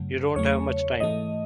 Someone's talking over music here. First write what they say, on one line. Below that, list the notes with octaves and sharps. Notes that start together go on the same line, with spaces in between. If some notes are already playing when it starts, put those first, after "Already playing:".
You don't have much time.
Already playing: F#2 C#3 F#3 A3
E2 C#3 F#3 A3 C#5
G#2 E3 A3 D#5